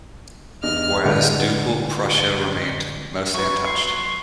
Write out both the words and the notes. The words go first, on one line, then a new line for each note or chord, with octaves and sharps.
Whereas Ducal Prussia remained mostly untouched.
E2 G2 D#5 F6
A2 D3 G#3 B4 D5 F#5
F#3 B4 C#6
C6